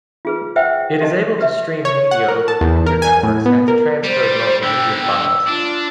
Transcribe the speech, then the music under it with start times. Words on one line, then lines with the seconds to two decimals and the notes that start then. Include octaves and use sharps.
It is able to stream media over computer networks and to transcode multimedia files.
0.25 F4 G#4 B4
0.56 B4 C5 E5 F#5 G5
1.01 G4 D#5 A5
1.38 G4 B4 E5
1.85 C#5
2.11 F#5
2.28 A#4
2.48 A5
2.61 E2
2.86 A#4
3.02 G#5
3.23 A2
3.46 B3
3.68 A#4
4.04 G3 C5
4.63 D3 G3 G5 E6
5.47 D4 F4